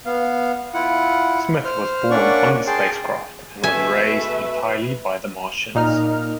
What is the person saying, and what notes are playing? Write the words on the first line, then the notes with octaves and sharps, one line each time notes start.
Smith was born on the spacecraft and was raised entirely by the Martians.
B3 F5
E4 F4 F#5
C5 F6
A#3 C#4 D4 D5 F#5 C#6
G#4 G5 A5 C6
B2 G#3 A3 B4 E5 G#5
A#2 D#4 F6